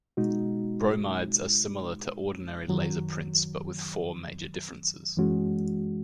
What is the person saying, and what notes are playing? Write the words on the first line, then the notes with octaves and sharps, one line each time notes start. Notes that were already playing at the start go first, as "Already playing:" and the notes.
Bromides are similar to ordinary laser prints but with four major differences.
B2 G#3 D#4 F#4
F#2 D#3 F#3
F#2 E3 G#3 C#4 F#4